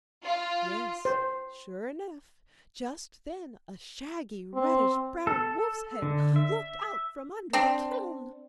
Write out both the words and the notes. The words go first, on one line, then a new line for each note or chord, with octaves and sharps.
Yes, sure enough, just then a shaggy, reddish-brown wolf's head looked out from under the kiln!
F4
C5
C4
A4
D3
E5
C4 D4